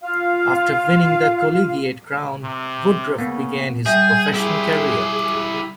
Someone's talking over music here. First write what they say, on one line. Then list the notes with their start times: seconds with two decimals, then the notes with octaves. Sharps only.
After winning the collegiate crown, Woodruff began his professional career.
0.01 F4 F5
2.43 C3
3.18 C#3 A#3 B3
3.86 G3 G#4 E5 G6
4.34 E4 G4 G#4